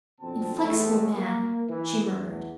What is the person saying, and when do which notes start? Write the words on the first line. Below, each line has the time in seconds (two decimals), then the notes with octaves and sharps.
"Inflexible man!" she murmured.
0.21 F2 B2 D3 C4 A5
0.63 E2 A2 C3 G#3 A3
1.16 A#3
1.68 E3
2.10 E2